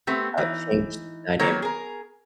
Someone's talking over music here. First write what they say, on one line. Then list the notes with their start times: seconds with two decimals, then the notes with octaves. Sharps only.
uh, changed the dynamic,
0.07 A3 B3 C4 G4
0.38 E3 D#4
1.39 D#3 F#3 A#3 B3 C#5
1.62 G#4 A#4